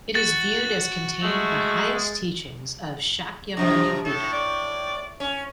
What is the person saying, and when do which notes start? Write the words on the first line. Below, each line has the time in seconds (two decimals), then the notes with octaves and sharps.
It is viewed as containing the highest teachings of Shakyamuni Buddha.
0.15 F#4 A6
1.23 G#3 A3
3.57 F#2 C3 F3 A#5
4.05 A2 A4
4.33 D5
5.20 C#4